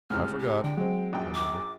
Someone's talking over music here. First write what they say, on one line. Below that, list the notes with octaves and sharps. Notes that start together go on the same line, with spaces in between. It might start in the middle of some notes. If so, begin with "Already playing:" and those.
"I forgot," I mumbled.
C#2 A2 C3 F6
G4
D3 G5
F#3 G#3 C4
A#1 F#2 G5
D6